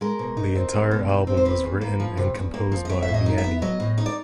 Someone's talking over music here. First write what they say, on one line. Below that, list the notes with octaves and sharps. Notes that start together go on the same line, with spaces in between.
The entire album was written and composed by Vianney.
G#3 A#4
B2
D#4
C4
G#3
B2
D#4
C4
C5
C3 B4
E2
A#3
F3
C3
E2
A#3
F3
D#5
F#3 E5
E5
A2
D#5
D#4
E5
B3
F#3 D#5
A2
D#4 D#5
D5